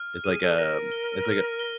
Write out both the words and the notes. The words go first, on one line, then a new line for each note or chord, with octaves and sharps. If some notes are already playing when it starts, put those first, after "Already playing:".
it's like a it's like a
Already playing: F6
G#4 D#7
A4
A#4 A#6
G7
F6
G7